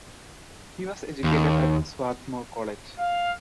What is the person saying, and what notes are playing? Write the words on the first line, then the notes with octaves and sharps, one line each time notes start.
He was educated at Swarthmore College.
D#2
F5